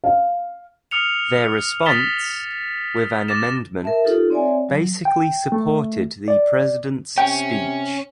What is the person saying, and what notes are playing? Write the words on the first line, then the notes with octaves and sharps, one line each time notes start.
Their response, with an amendment, basically supported the President's speech.
F5
D#6 F6 C#7 F7
D#6 A6 B6 E7 G7
D6 A6 A#6 E7
A#4 E5 A5
D#4 F4 G4 A4
C4 C#5 D5 E5 G#5
F#3
G5
A3
D5
C3 C#4 G5